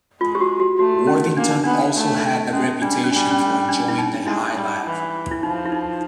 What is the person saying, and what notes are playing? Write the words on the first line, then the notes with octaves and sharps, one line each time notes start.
Worthington also had the reputation for enjoying the high life.
G#3 F4
G4
F#4
F#4
A3 F#4
C#4
A#3 D4
D#4
B3 D4
A3
G#3 C#4
G3 D4
C#4
G3 D4
C#4
C#4
D4
E4
D#4
G#3 E4
G3
E3
E4
F3 D#4
E4
D#4